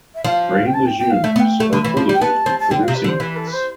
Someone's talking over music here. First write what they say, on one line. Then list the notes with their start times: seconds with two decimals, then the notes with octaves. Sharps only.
Grain legumes are cultivated for their seeds.
0.15 E5
0.24 F3 F5
0.66 G5
0.74 A5
0.86 G5
0.99 G5
1.11 F5
1.23 A3 E5
1.36 B3
1.40 G5
1.60 A3
1.73 D3 B5
1.85 E3
1.97 F3
2.09 G3
2.13 G5
2.21 B3 A5
2.46 C4
2.60 A5
2.71 D3 G5
2.83 C3 F5
2.95 B4
3.04 D3
3.08 C5
3.20 E3 B4
3.36 A4
3.47 B4
3.53 C5